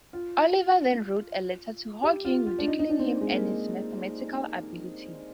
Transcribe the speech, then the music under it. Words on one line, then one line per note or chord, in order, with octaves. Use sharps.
Oliver then wrote a letter to Hawking, ridiculing him and his mathematical abilities.
F4
G4
F4
F4
D4
D#4
D#4
D4
C4
G#3
A#3